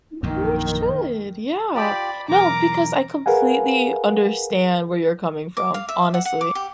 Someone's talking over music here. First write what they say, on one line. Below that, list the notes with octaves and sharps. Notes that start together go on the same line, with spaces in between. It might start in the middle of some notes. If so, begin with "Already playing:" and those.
You should, yeah. No, because I completely understand where you're coming from, honestly.
A#1 F#2 D#3
F4 G4 D5 B5
B1 E2 A#4 A#5 D6
G#4 A#4 B4 F5 F#5 G#5
D6
F5
E5
F#5
F#5
D6
G4